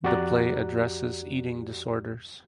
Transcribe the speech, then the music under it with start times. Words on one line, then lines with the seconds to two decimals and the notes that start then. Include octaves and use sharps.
The play addresses eating disorders.
0.04 F2 F#4 G4 D5 A#5 F#6